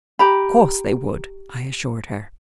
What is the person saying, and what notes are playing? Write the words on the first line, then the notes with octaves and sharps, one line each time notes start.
"Of course they would," I assured her.
G4 A#5 B5